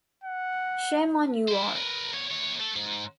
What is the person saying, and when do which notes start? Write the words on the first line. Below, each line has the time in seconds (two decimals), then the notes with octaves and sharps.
Shame on you all.
0.24 F#5
1.48 E4 C5
1.76 A#4 B4
2.12 E2 C#5
2.31 D#2 C#5
2.60 A3 A4
2.76 G#2